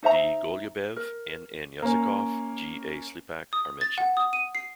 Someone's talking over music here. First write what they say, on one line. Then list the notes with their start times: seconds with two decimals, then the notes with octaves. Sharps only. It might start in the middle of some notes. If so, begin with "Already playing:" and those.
D. Golubev, N. N. Yazykov, G. A. Slipak are mentioned.
0.03 D#4 C5 E5 A#5
0.96 A#4
1.82 A#3 C#4
3.53 D#6
3.81 A6
3.98 F#5
4.17 D#6
4.33 D#7
4.55 C7